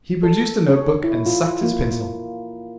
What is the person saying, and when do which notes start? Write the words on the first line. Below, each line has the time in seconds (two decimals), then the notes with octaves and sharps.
He produced a notebook and sucked his pencil.
0.23 A4
0.69 C#5
1.04 E4
1.26 F4
1.63 A#3
1.91 A#3